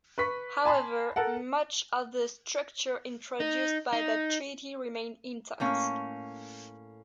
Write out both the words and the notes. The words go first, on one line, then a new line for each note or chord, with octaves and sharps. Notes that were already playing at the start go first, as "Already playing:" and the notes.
However, much of the structure introduced by that treaty remained intact.
B4 C#6 B6
G#5 A5 B5 C6
A4 A#4 F#5
D#4
D#4
A2 A#3 C#4